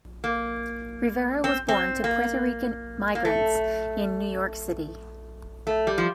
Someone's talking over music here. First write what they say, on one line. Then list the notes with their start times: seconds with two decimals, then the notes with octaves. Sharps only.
Rivera was born to Puerto Rican migrants in New York City.
0.24 A#3
1.44 C4
1.69 C4
2.04 A#3
3.15 A#3
3.25 A3
5.67 A3
5.87 G3
5.98 F3